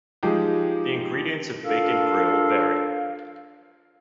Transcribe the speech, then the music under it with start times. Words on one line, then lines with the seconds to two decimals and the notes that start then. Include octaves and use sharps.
The ingredients of Bacon Grill vary.
0.23 F3 G#3 D#4 G4
1.65 D4 F4 A4 A#4 F5